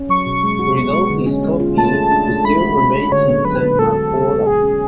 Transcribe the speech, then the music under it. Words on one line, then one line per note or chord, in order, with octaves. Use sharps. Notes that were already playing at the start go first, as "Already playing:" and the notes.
Ridolfis copy still remains in San Marcuola.
Already playing: C#4
F#3 C#6
B2
G#3
F#4
B3 C#6
G#3
D3
C#4
G#3
F4
A3 A5
G#4
D4
A3
G#3 B5
F#4
C#4
A4
D3 C#5
B3
F#3 B4
D3
G#3 A4
F#4
B3
G#3
B2 G#4
C#4